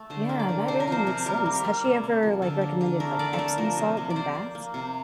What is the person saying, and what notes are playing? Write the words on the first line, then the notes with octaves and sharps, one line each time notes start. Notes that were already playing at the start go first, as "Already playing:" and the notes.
Yeah that really makes sense. Has she ever, like, recommended, like, Epsom salt in baths?
Already playing: A3 A4
D3 C5
A#3
D5
D3
C3 C5
A#4
F3 C5
C3
G3 A#4
A#3
A#4
G3
C3
A#3
F3
D3 A4
A#3
D3
A3 A#4
A3 D5
A4
A3 A#4
F3 A#4
C3
A#3
D5
A#3 C5
A#3
A#3
C3